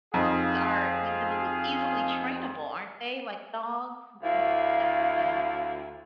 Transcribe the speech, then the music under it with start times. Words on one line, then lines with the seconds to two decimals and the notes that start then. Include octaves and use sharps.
T are easy to loo easily trainable, aren't they? Like dog? People Yeah. Okay.
0.14 F2 D#4 G#4 F5
4.23 D2 E4 F5